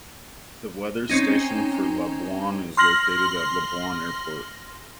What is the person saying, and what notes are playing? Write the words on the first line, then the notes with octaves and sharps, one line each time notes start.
The weather station for Labuan is located at Labuan Airport.
C4 C#4 D#4
C6 F6 A#6 F#7